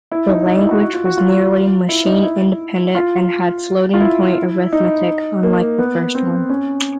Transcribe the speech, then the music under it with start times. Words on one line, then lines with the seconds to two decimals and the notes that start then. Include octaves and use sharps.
The language was nearly machine-independent and had floating-point arithmetic, unlike the first one.
0.11 E4
0.29 D#4
0.47 D#4
0.59 E4
0.71 F#4
0.81 F#4
0.93 F4
1.05 F#4
1.17 F4
1.89 E4
2.06 D#4
2.23 E4
2.95 F4
3.94 F4
4.01 E4
4.72 D#4
5.43 A#3
5.78 B3
6.15 C4
6.50 C#4